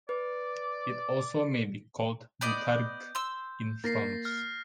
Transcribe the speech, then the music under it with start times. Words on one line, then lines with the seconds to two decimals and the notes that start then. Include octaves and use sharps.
It also may be called boutargue in France.
0.09 B4 D5
2.41 B3 D5 D#5 G6
3.15 C6 E6
3.84 A#3 A6 A#6 C7
4.25 F6